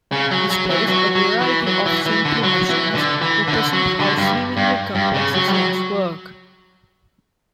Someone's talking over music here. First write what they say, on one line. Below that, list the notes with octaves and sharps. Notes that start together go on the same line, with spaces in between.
Displays a variety of simply machines to present how seemingly complex systems work.
C#3
F#3
F#3
E3
F#3
F#3
E3
F#3
E3
E3
D3
F#3
E3
D3
E3
D3
F#3
D3
G2
G2
G2
C#3
F#3
G3
F#3